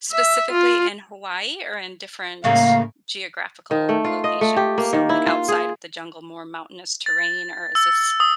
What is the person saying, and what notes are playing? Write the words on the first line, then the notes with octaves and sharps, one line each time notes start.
Specifically in Hawaii or in different geographical locations? So, like, outside of the jungle, more mountainous terrain, or is this
E5
F4
A2 C#3 A#3 F5
D#3
A3
F4
D#5
A3
G4
A#3
D#3
E4
F4
G#4
A6
E6
D#6